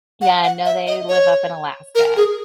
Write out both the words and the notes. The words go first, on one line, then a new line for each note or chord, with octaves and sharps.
Yeah, no, they live up in Alaska.
F#5
F#5
E5
D#5
C#5
A#4
G#4